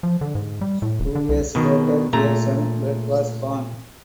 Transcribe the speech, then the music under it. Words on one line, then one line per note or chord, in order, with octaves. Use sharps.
Two years later their son Bret was born.
F3
D3
G#2
G3
A2
D#1
D3
C2
B2 D#3
A#2 A3 A#5